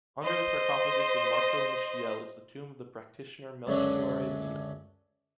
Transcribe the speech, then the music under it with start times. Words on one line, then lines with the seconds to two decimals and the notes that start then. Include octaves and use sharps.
Under the sarcophagus of Marco Michiel is the tomb of the practitioner Melchiorre Zeno.
0.24 C5 D#5
3.67 C#2 F#2 D3 C#4 D4